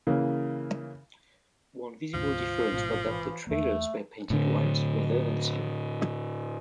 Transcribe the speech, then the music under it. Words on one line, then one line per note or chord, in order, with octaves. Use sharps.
One visible difference was that the trailers were painted white, rather than silver.
C#3 E3 A#3
D2 G#2 C3 F3
A1 G#2 B2
E3
E2 E3 A3 A#3
A2 D3